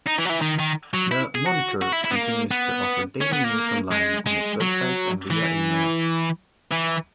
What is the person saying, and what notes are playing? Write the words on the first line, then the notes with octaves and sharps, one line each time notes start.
The "Monitor" continues to offer daily news online on its website and via email.
D#4
E3
F#3
E3
D#3
D#3
F#3
E4
G#4
F#4
F#4
E4
E4
B3
A#3
B3
C#4
B3
A#3
G#3
G#3
F#3
E3
E3